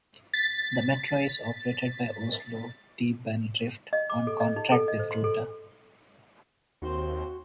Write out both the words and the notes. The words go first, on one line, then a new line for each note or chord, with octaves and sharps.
The metro is operated by Oslo T-banedrift on contract with Ruter.
A6 B6
D#5
D6
A4
D#5
D#4
A4
D#5
C5
C6
A4
D#2 C4 F#4 C5